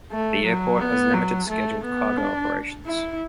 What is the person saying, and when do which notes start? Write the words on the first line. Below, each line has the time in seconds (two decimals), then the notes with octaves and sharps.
The airport has limited scheduled cargo operations.
0.12 A3
0.46 F#3
0.81 B3
1.14 F#3
1.49 A3
1.84 B3
2.17 D4
2.86 E4